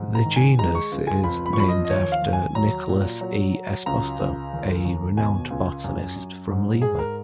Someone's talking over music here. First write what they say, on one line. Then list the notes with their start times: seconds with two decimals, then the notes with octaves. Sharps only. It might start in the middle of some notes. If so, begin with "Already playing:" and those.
The genus is named after Nicolas E. Esposto, a renowned botanist from Lima.
Already playing: G#2
0.15 A#5
0.25 D#3
0.36 G#5
0.59 G#3 A#5
0.75 C#6
0.92 C#2
1.07 G#5
1.24 F2 B5
1.46 B5
1.53 C#6
1.57 F3 B5
1.68 D#5
1.85 D#5
1.90 D#2 C#5
2.12 F5
2.22 D#2
2.33 G#5
2.55 F#3 A#5
2.89 A#2
3.21 F#3
3.54 F#3
3.86 C#2 A#5
4.20 C#2
4.53 D#2
4.85 D#2
5.17 B2 G#5
5.50 C#2
5.84 F#2
6.16 F#2
6.49 G#2
6.82 G#3 G#4
6.99 A#4